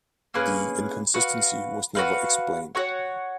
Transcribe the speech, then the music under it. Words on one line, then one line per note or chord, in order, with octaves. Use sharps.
The inconsistency was never explained.
A#3 C#4 G#4 B4
F#4 B4 F5
F#4 B4 F5
F#4 C#5 F#5